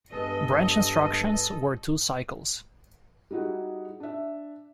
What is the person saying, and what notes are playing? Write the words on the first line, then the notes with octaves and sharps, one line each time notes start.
Branch instructions were two cycles.
G2 G#3 B3 A4 D#5
G3 D#4 E4 F#4 G#4
D4 E5